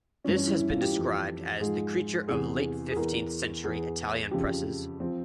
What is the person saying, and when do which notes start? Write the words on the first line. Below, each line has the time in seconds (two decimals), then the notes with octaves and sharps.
This has been described as "the creature of late-fifteenth-century Italian presses".
0.24 G2 E3 C#4
0.36 C#4
0.47 E4
0.59 E4
0.70 F4
0.81 G4
0.92 F2 E3
1.60 G#2 F3 G#4
2.28 E2 C3 E3 G#4
2.92 G#4
2.96 E2 E3 A#4
3.64 E2 E3 G#4
4.31 F2 C#3 F3 G4
5.00 F3 C4